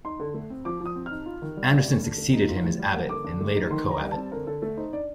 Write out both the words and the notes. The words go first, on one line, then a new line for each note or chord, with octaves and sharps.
Anderson succeeded him as abbot, and later co-abbot.
D#4 C6
D3
A3
C4
F3 D6
F3
D#6
C4
D#4 F6
F4
D#3
G3
D4
D3
D3
A3
D#4
F4
A2
G3
A#3
D3 D6
D3
A3
D#4
D#3 C6
D#3
A#5
G3
C4 A5
D3 A#4
D3 A4
A3 A4
D#4 C5
D4 D5